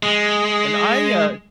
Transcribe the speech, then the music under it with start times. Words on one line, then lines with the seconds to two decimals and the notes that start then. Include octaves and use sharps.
And I, uh
0.03 G#3